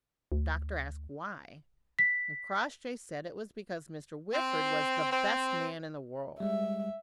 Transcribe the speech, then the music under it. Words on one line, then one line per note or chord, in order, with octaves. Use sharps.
The doctor asked why; and Crossjay said it was because Mr. Whitford was the best man in the world.
D2
B6
C4
C4
G3 G#3 E5